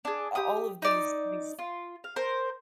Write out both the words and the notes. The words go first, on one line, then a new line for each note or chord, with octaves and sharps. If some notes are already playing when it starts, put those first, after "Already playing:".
a all of these these
D4 G#4
G4 D#6
D#4 D5
F4
F5
A#4 C5